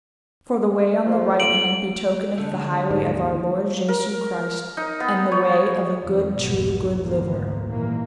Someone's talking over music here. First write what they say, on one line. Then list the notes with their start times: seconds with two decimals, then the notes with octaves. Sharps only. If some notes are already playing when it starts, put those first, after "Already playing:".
For the way on the right hand betokeneth the highway of our Lord Jesu Christ, and the way of a good true good liver.
1.06 F2 F3
1.40 D7 F#7
2.38 D3 A3
2.54 D3 G#3
2.91 G#2
3.11 D#2
3.89 A#4
4.77 D#4
5.00 B3
5.31 C#5
6.02 F2 D#3 G3
6.36 F1 B1 G#2 B2 B3
7.01 G#1 D2 G#2 F3 A#3 B3
7.68 A#2 D#3 E3 G3 A#3